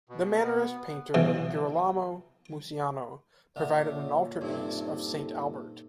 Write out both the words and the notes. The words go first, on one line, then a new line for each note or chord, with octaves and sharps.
The Mannerist painter Girolamo Muziano provided an altarpiece of "Saint Albert".
B2
B3
B2 E3
A#2 D3 C#5 E5
G2 C3 D#4 G4 A4